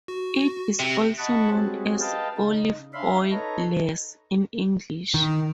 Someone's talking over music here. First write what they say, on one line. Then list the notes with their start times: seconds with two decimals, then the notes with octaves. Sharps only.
It is also known as "olive oil lees" in English.
0.08 F#4
0.80 C3
1.18 D#5 F#5 A5 B5 C#6
1.50 G3 G#3 C4 C#4 F#4 G#4
2.01 B4 D#5 F5 G5 A5
2.38 C#3 D#4
2.94 C#4 D4 E5 F5 B5 C6
3.31 D#4 A4 B4 C#5 A#5
5.14 D#3